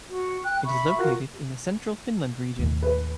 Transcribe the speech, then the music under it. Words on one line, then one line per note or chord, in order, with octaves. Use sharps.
It is located in the Central Finland region.
F#4
G5 F#6
E5 B5 C#6
F4 F#4 A#4
D#2 A2
B4